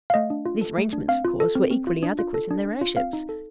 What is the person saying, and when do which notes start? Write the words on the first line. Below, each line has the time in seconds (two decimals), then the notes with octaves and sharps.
These arrangements of course were equally adequate in their airships.
0.10 F5
0.14 A3 D#5
0.30 D4
0.46 F4
0.61 A4
0.77 A3
0.93 D4
1.08 C4 F5
1.25 F4
1.40 A4
1.55 C4
1.71 C4
1.87 F4
2.03 D4
2.19 F4
2.34 A4
2.51 D4
2.66 D4
2.81 F4
2.97 C4 F5
3.13 D#4
3.29 A4